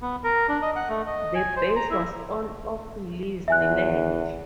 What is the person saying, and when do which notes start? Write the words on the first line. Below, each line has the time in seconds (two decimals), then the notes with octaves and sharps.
The base was on of leased land.
0.02 B3
0.24 A#4
0.49 D4
0.62 D#5
0.76 F#5
0.89 A3
1.07 D#5
1.35 G#5
1.56 C5
1.76 A#5
1.90 E4
3.48 E2 E5 G#5 F#6